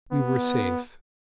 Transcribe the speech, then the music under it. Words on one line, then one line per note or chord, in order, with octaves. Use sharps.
We were safe.
B3